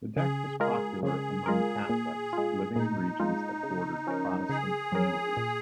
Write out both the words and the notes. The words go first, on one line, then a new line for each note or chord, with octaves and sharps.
This deck was popular among Catholics living in regions that bordered Protestant communities.
C#3 G#4
G#3 F4 G#4 A#4
C#3 G#4
G#3 F4 A#4
A#2
G#3 F4
A#2 D#4
G#3 F4
C#3
F3 C#4 A#4
C#3 G#4
F3 C#4 A#4
A#2